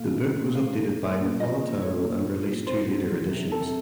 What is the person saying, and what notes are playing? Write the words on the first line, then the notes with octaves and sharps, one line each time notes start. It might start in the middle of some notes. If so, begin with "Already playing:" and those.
The book was updated by Napolitano and released two later editions.
Already playing: A#2 A3 F5
D#4
A#2
A3 F5
A#2
A3
A#2
F3 D#5
A#2
A3 C#5
A#2
F3
A#2
C4 C5
F#4
F#3
C3
C4 A4